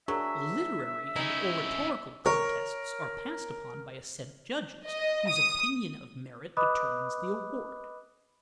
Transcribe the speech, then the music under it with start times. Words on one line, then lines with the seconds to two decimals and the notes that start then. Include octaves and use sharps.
Literary and oratorical contests are passed upon by a set of judges whose opinion of merit determines the award.
0.08 F#3 D4 G#4 A#4 E5
1.16 C#4 D#4 E4
2.26 A#4 C#5
4.85 D#5
5.28 D#6
6.57 B4 D#5 B5 D6 D#6 F#6